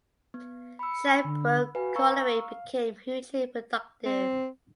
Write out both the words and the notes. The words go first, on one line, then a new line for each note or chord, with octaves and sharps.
Shirebrook Colliery became hugely productive.
B3
B5 E6 C#7
D3
F#4 B4 F5 G#5
F5 A#5 C#6 E6
C4